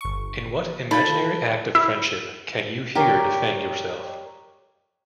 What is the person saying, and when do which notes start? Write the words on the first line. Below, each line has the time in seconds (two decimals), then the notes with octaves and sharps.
In what imaginary act of friendship can you here defend yourself?
0.01 G1 C#6
0.91 D#4 F4 A4 B5
1.75 E4
2.95 G4 A#4 C#5 D5 G5